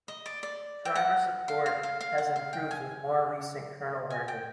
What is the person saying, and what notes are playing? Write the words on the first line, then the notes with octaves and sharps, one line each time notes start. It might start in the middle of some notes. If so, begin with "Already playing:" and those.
Driver support has improved with more recent kernel versions.
D#5
D5
D5
G5
F#5
F5
F5
F5
F5
F#5
F5
G5
G#5
G#5
G5